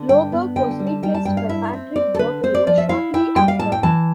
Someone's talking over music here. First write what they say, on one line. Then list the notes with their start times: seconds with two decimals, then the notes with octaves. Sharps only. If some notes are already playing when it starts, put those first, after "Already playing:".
Loberg was replaced by Patrick Bourque shortly after.
Already playing: D3
0.09 G2 G5
0.32 B3
0.56 D3 G5
0.71 G5
0.79 G3
0.87 A5
1.03 G3 G5
1.14 A5
1.25 G2 G5
1.37 F5
1.49 E4 E5
1.73 C4
1.96 C4 D5
2.15 A4
2.19 D3 B4
2.43 C4 C5
2.55 D5
2.67 F3 D5
2.78 E5
2.89 E4 F5
3.14 E4 G5
3.36 G3 G5
3.48 F5
3.59 A2 A5
3.72 G5
3.83 E3 A5